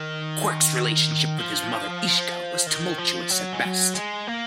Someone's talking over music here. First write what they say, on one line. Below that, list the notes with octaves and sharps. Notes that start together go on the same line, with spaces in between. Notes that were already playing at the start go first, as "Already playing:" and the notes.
Quark's relationship with his mother Ishka was tumultuous at best.
Already playing: D#3
F3
D#3
F3
F#3
G#3
F#3
G#3
A#3